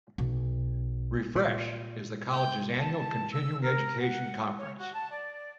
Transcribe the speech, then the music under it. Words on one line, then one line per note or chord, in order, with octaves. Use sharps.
"Refresh" is the college's annual continuing education conference.
B1
A#2
G5
A5
E6
A#4
F#5
C#5
F#4
A5
D5